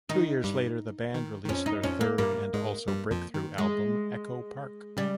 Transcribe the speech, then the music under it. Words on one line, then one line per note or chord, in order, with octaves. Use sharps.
Two years later, the band released their third and also breakthrough album, "Echo Park".
D#3 D#4
G2 G3
D#3
D#3
F2 F3 C#4
D#4
F2 F3 C#4
A#3
G2 G3 A#3
G#2 G#3
G2 G3
F2 F3
D#3
G#3
C#3 G3